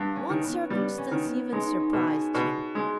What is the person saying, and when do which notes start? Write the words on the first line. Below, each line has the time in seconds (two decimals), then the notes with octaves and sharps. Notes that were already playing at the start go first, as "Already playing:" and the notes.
One circumstance even surprised him....
Already playing: G2 B3
0.16 C#4
0.30 D#3
0.44 B3
0.70 G3 B3
0.98 C#4
1.11 D#3
1.25 B3
1.52 G#3 D#4
1.80 C#4
1.93 B2
2.07 G#4
2.35 B2
2.75 G#3